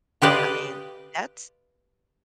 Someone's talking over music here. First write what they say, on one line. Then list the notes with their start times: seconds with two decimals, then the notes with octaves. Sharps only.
I mean, that's
0.22 F4 G4 B4 D5 D#5